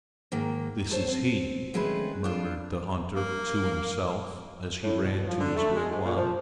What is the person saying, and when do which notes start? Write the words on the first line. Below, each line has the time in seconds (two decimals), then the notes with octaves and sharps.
"This is he!" murmured the hunter to himself as he ran to his wigwam.
0.32 G#2 D#3 A#3
0.91 A4 C5 C#5
1.08 C4
1.74 D#3 G#3 A3 C#4 G#4 B4
2.24 D4 F4
3.15 A#3
4.83 A2
5.02 B2
5.28 F3
5.40 D3
5.56 A3
5.76 G#3
5.91 G#2
6.04 A#2
6.16 F3